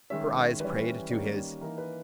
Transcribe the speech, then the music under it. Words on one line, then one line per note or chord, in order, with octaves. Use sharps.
Her eyes prayed to his.
D#3 G#3 C#4 E5
E3 G3 C#4 B4
D#3 G3 A#3 C#4
E3 A#3 D#4 A#4
B4